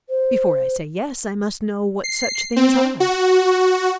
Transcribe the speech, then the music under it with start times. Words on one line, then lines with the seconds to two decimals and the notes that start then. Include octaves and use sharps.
"Before I say yes I must know what such things are."
0.09 C5
2.04 C7
2.56 C4
3.00 F#4